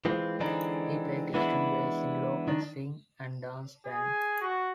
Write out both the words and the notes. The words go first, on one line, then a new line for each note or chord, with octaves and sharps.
He played string bass in local swing and dance bands.
E3 G#3 C4 F4
D3 E3 G#3 C4 D4 D#4
E3 G#3 B3 D4 E4
D#3 D4
G#4
F#4